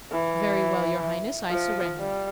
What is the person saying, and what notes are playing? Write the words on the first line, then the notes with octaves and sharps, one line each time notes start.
"Very well, your Highness, I surrender."
E3
F3
G3